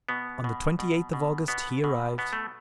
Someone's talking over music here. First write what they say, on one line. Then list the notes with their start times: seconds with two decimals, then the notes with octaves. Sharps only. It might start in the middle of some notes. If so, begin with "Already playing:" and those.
On the twenty-eighth of August he arrived.
0.09 B2 B3
0.44 B2
0.79 B2
1.13 B2
1.48 B2 B3
1.84 B2
2.18 B2 B3
2.33 A3